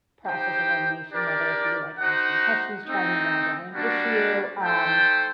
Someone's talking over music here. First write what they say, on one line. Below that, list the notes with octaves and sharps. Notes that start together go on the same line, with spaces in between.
process of elimination, whether it be, like, asking questions, trying to nail down an issue. Um,
D#4 G4 C5 G5
D4 G4 A#4 D5
D#4 F#4 C5 F#5
A3 C4 D#4
G3 A#3 D4 F#4
A3 D#4 A4 C5 G5